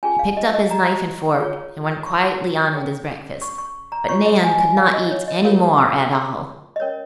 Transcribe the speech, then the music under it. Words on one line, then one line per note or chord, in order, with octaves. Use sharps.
He picked up his knife and fork and went quietly on with his breakfast. But Nan could not eat any more at all.
C#4 F4 G#4 G#5
F5
D#5
D#5
A#5
F4 G#4 C#5
C#6
C#4 G#4 C#5
C#6
C#6
A#5
F4 C#5 C#6
D#5
G#5
G#5
F5
D#5
C#5
D#5
F4 A#4 C#5 F5
D#5
C#4 A#4 C#5